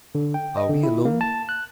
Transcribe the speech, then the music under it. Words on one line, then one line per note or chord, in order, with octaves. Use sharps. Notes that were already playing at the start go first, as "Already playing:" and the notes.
"Are we alone?"
D3
G5
D#5
D3
E4
A#3
A5
F#6